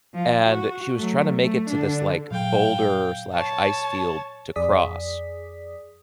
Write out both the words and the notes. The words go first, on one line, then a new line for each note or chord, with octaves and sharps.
and she was trying to make it to this, like, boulder/ice field to cross,
F3 F4
F#4
F#3 A3
A3
D3 D4
A#2 F#3 F5 G5
C#5 A5
F2 G#4 D5 D#6 B6